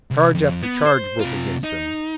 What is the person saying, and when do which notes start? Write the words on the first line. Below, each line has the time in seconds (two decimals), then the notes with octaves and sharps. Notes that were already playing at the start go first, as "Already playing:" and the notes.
Charge after charge broke against them.
0.11 C2
0.35 F2
0.63 B3
0.86 C5
1.20 C3 F4
1.64 D#4